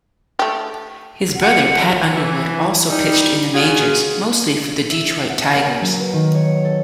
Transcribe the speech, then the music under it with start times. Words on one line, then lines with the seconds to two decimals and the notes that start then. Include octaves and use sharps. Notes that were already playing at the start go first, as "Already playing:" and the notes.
His brother Pat Underwood also pitched in the majors, mostly for the Detroit Tigers.
0.39 A3 G4
1.36 F#5
2.12 E3
2.88 G3 D#4
3.53 C#4 F4 F#4 G#4
4.91 E5
5.29 F#5
5.55 A#3
5.81 F#3
6.00 B4
6.13 D#3
6.35 C#5
6.64 A4